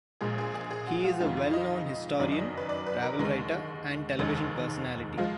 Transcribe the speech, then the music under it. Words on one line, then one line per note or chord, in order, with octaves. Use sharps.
He is a well-known historian, travel writer and television personality.
A#1 A#2 G#3 G#4
G#4
G#4
G#4
F#4
F4
F2 D#3 G#3 F4
F4
D#5
F#1 F#2 D#3 F#3 D5
D#5
B4
D5
B4
A#4
D#2 D3 G#3
F1 D#2 D#3 G#3
F3 G#3 F4